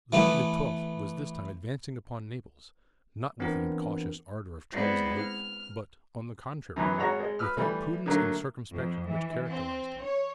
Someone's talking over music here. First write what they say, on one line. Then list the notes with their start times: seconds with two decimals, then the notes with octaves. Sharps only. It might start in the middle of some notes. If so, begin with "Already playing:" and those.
Louis XII was this time advancing upon Naples, not with the incautious ardour of Charles VIII, but, on the contrary, with that prudence and circumspection which characterised him.
0.13 E3 A3 B3
3.40 E3 B3 C4 D4 F4 A#4
4.72 G#3 B3 C4 E4 B4 D5
5.16 F6
6.76 F#2 E3 F#3 B3
6.98 G#1 G#3 F#4 C#5 A#5
7.20 G#3
7.39 B4 E6 F6
7.57 E3 G3 A3
8.06 D3 D#3 F#3 A3 A#3
8.70 F2
9.07 E3
9.49 C4
10.02 C#5